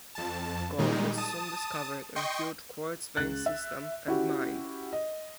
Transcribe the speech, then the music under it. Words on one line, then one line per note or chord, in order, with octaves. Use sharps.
Gold was soon discovered in a huge quartz vein system, and mined.
F2 A5
A#2 D#3 G3 G#3 D#4
A5 D#6
D#5 G5 C6 C#6
C#2 F#6 A6
E5
C#4 E4 F#4 G4
D#5